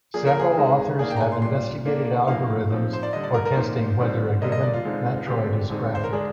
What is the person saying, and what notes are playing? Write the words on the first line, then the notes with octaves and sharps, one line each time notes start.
Several authors have investigated algorithms for testing whether a given matroid is graphic.
F3 A#3 D4 G#4
A#4
G#4
C3 D#3 G#3 D#4
D#3 A#3 D4 G#4
G5
A#5
G#5
C6
A#2 G3 D4 C6
D#3 A#3 D4
F3 A#3 D#4 F5
F3 C4 D#4
C5
D5
D3 G3 D4 D#5
D5
A#4
A#4
A#2 F3 A#3 D#4 C5
D3 G3 C4 D#4
D3 G3 A#3 D#5
D#5
D5
F4
D3 G#3 C4 D#4
D3 G#3 C4 G4
D3 G#3 C4 D#4
C5
A#4
D3 G#3 D4 G#4